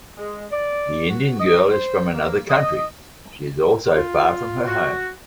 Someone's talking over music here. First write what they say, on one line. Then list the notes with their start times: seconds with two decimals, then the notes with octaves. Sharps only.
The Indian girl is from another country. She is also far from her home.
0.17 G#3
0.51 D5
1.08 F#4
1.39 D#5
1.70 C5
2.13 A#3
2.49 D#5
3.95 F4
4.67 F#4